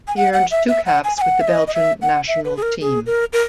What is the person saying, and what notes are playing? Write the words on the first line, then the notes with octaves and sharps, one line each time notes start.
He earned two caps with the Belgian national team.
G#5
F#5
F#5
E5
E5
F#5
G#5
G#5
F#5
E5
D#5
D#5
E5
F#5
E5
B4
G#4
A#4
G#4
A#4
A#4